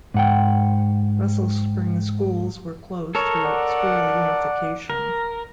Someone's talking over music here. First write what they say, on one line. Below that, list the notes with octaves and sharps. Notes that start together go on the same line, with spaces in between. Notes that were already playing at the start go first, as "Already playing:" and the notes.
Russell Springs schools were closed through school unification.
G#2 F#5 G5
A4 A#4 C#5
D5 F#5
A#4